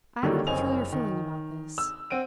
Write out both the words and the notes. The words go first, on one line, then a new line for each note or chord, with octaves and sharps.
I have a peculiar feeling about this.
D3 D#3 F#3 G3 A#3 C#4
F#1 C4 C#4 D#5 G#5 F7
D#3
E6
C4 F#5 D7 D#7